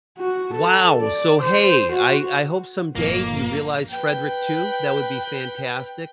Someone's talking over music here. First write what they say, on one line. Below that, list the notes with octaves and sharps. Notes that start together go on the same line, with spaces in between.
Wow! So hey, I I hope someday you realize Frederick too, that would be fantastic,
F#4
A4
D5
C5
F#4
G1 F2 A#2 A#3
B4 G5